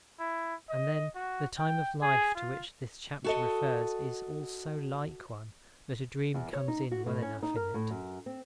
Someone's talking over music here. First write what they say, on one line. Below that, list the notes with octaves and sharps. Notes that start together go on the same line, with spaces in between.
And then the time of life to which this chapter refers is all so like one, that a dream comes in well enough in it.
E4
D#5
F#4
G5
G#4
F4
F#4 A4 D#5
E2
C#5
D#4
F#4
A2
C#4
D#4
A#4
A2
F#2
C4